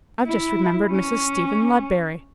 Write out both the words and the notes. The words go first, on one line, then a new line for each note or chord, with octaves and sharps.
I’ve just remembered Mrs. Stephen Ludberry.
E4
C#4